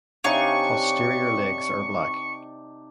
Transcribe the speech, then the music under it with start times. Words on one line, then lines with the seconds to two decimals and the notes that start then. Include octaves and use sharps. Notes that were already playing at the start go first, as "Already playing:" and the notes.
Posterior legs are black.
0.24 C3 D4 D#4 C#5 F5 G#5 C#6